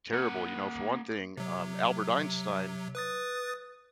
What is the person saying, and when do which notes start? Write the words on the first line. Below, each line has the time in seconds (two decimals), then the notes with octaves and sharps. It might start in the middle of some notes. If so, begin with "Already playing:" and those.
terrible, you know for one thing, um, Albert Einstein,
0.13 A#3 F#5
1.37 C3 F#3
2.95 B4 D#6 A6